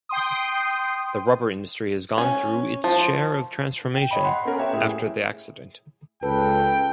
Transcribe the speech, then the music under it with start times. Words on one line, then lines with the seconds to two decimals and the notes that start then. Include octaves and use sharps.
The rubber industry has gone through its share of transformation after the accident.
0.09 G5 C6 D#6
2.18 C#4
2.84 F3
3.94 G5
4.11 C#5 D#5 B5
4.24 F#5 C6
4.45 B3 C#4 A#4
4.59 G4 C#5 E5
4.73 A2 E4 G#4
6.23 C#2 A4 B4 G5